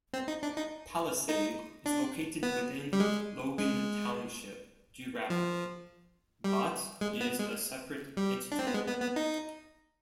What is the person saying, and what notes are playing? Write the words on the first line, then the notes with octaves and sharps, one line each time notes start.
Palisade is located within Logan Township geographically but is a separate entity.
C4
D#4
D4
D#4
D#4
D4
B3
G3
G#3
G#3
F3
G3
G#3
B3
G#3
G3
D4
C4
B3
G#3
B3
B3
D#4